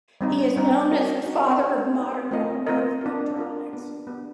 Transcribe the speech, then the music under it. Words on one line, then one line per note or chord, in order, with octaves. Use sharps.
He is known as the father of modern automotive electronics.
G3 C4 D#4
G3 C4 D#4
F#4 A#4 D#5
F#4 A#4 D#5
D#4 G4 A#4
D#4 G4 A#4
A3 C4 F4 A#4 D#5
A3 C4 F4 A#4 D#5
D4 F4 A#4
D4 F4 A#4
B3 D4 G4
B3 D4 G4